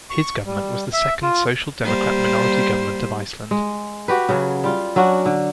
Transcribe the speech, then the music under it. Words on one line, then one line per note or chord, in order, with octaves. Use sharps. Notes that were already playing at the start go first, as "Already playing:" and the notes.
His government was the second Social Democrat minority government of Iceland.
C#6
G3
E5
F4
G3 A#3 C5
G#3
F#4 G4 B4
C#3 F#3
G3 F4
F#3 C#4 D4 F#4
D3